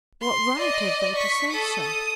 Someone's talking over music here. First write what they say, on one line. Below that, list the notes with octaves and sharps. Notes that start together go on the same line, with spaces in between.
What right have they to say so?
C6
D5 D#5
C#6 B6
A4 D#6
D#6